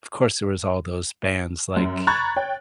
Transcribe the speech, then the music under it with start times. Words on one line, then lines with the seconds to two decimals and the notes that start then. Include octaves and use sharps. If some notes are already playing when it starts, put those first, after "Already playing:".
of course, there was all those bands like
1.77 F#2
2.07 A#5 B5 C#6 F#6 G#6 A6
2.36 C#5 G5